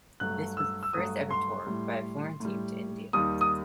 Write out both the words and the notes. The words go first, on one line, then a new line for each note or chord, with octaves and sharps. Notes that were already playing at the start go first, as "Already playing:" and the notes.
This was the first ever tour by a foreign team to India.
G2 F#3 A3 F#6
E6
E6
G2 F#3 A3 D#6
C6
A2 G3
A2 G3
D#2 D#3 G3 D#6
D#6